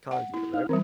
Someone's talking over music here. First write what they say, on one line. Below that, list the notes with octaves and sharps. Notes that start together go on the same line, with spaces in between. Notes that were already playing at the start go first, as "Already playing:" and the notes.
kanji, right?
F#5
E4
D#4 F5
E3 G3 C4 A#4